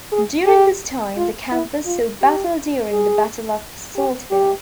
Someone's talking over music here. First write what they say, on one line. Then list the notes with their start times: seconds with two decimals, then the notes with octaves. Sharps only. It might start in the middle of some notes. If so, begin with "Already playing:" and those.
During this time the campus saw battle during the Battle of Saltville.
0.12 G#4
0.46 G4
1.17 F4
1.52 E4
1.86 F4
2.22 G4
2.92 G#4
3.96 G4
4.31 G4